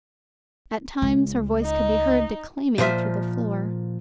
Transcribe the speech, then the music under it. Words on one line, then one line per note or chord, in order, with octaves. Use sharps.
At times her voice could be heard declaiming through the floor.
C#2
D#4
A#2 F3 C5 E5